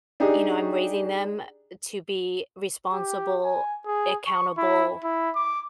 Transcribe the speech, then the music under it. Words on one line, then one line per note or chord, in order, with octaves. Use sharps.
you know, I'm raising them to be responsible, accountable,
D4 D#4 G4 G#4
G4
G#5
G#4
C#6
E4
E4
D6